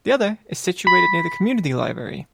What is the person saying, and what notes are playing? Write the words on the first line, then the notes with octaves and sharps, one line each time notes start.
The other is situated near the community library.
B5